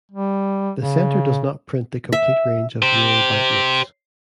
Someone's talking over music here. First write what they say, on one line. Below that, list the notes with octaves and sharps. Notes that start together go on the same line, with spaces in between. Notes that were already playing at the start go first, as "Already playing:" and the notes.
The centre does not print the complete range of euro banknotes.
G3
C#3
E5
G4 C5